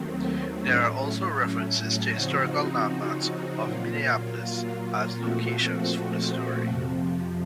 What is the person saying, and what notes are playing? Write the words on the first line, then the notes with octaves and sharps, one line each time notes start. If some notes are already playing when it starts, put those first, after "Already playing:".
There are also references to historical landmarks of Minneapolis as locations for the story.
Already playing: D#2 D#3 F#3 A3 C4
A2 F#3 A3 C#4
C#3 F3 C4 D#4 F#4
A#2 F#3 A#3 F4
A#2 F3 A3 C4 F#4
F2 C3 F3